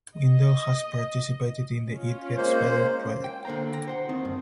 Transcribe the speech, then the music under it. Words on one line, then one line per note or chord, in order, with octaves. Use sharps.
Windle has participated in the It Gets Better Project.
D#5
C#4 F4
G#3 A#3 C5
G5
D3 A#3 C5 G5 A#5
G5 A#5
C5 F#5 C6
D#2 D#3 C4 D#4
G2